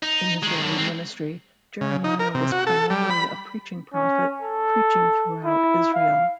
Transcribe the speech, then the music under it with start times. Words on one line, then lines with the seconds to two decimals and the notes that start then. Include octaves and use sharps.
In his early ministry, Jeremiah was primarily a preaching prophet, preaching throughout Israel.
0.03 D#4
0.43 D#3 G#3
0.61 F#2 D3
0.78 G#3 C4
1.81 C#3
2.04 D#4
2.19 A#4
2.34 C3
2.52 F#4
2.67 A4
2.90 G3
3.10 B5
3.94 C#4
4.42 A4
5.45 E4
5.94 F5